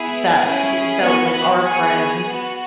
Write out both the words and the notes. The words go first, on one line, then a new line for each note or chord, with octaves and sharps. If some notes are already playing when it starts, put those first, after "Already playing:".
that b that was, like, our friends.
Already playing: B3 E4 G#4
C#4 E4 G#4
B3 F#4 G#5 C#6
F#5 B5
B3 G#4 G#5 C#6
B3
F#4